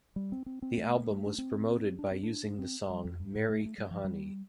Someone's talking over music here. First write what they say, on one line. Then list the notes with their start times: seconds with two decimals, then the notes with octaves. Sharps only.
The album was promoted by using the song "Meri Kahani".
0.16 G3
0.32 C4
0.46 C4
0.62 C4
0.78 A3
1.26 D4
1.38 C4
1.99 D4
2.11 C4
2.23 D4
2.59 C4
2.90 G3
3.05 F2
3.20 G2
3.35 A2
3.49 A3
3.65 A3
3.78 G3
3.91 F3
4.05 G3